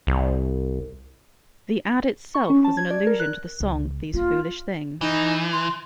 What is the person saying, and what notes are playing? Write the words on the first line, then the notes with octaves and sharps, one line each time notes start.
The ad itself was an allusion to the song, "These Foolish Things".
C2
C#6
C#4
A5
G#6
D5
A#4
F#6
C#2
A#3 F4
E3 D#4
C6